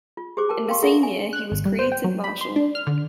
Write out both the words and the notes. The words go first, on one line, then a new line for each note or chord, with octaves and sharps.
In the same year he was created marshal.
F4
G4 G#4 C5 D6
A#4 G5 A5
A#4 F5 G5 C6 C#6
F4 G#4 A4 E5 F#5
G#5
F#6
G#1
G3
C5
G5
F#3
B5
C6
D4
F6
D3